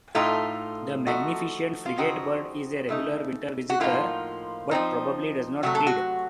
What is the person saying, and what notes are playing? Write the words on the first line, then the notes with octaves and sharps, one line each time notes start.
The magnificent frigatebird is a regular winter visitor but probably does not breed.
A2 A3 D#4 F4
F3 A3 D#4 F#4
F4
C#3 F3 C4 D#4 F#4
C#3 A3 D#4
F#4
A2 F3 A#3 D#4 F4
F3 C4 D#4
C3 F#3 A3 F#4
A4
F#4